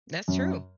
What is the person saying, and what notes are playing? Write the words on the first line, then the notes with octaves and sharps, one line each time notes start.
That's true.
F#2